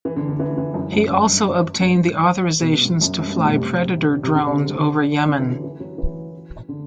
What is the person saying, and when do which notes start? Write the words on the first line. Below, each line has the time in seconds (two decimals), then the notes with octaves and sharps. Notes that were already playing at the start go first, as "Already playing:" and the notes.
He also obtained the authorizations to fly Predator drones over Yemen.
0.05 E3
0.16 D3
0.28 D3
0.39 E3
0.58 E3
0.74 F#2
0.92 F#2
1.10 G2
1.79 G2
2.61 B2
2.73 G2
2.84 G2
3.01 F#2
3.19 F#2
3.27 G2
3.36 A2
3.45 B2
3.54 C3
4.23 C3
4.35 D3
4.46 C3
5.28 D3
5.40 E3
5.51 F#3
5.64 E3
5.80 F#3
5.98 E3
6.69 D3